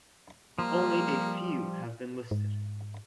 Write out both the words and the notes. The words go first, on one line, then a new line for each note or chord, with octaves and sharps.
Only a few have been listed.
F3 G3 A#3
G#2